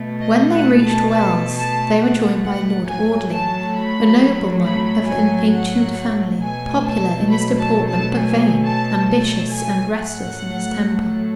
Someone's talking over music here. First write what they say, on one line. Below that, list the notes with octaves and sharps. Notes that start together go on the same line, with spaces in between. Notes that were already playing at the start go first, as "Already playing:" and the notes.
When they reached Wells, they were joined by Lord Audley, a nobleman of an ancient family, popular in his deportment, but vain, ambitious and restless in his temper.
Already playing: B2 A3
D#5
F#5
A5
A5
A5
F#5
F#5
A2 F#3 A3 G#5
A5
B5
B5
G#5
F#5
B2 F#3 A3 G#5
A5
B5
A5
A5
G#5
A5
A5
G#5
A2 F#3 A3 F#5